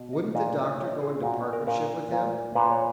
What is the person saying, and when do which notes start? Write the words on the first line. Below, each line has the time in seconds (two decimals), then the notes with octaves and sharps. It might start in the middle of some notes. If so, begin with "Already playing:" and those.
Wouldn't the Doctor go into partnership with him?
Already playing: B2
0.13 D#5
0.35 A#2 D#5
0.65 D#5
0.79 A#2 C#5
1.01 G#4
1.23 A#2 F#4
1.53 A#4
1.67 A#2 A#4
2.12 A#2
2.55 A#2 B4
2.71 C#5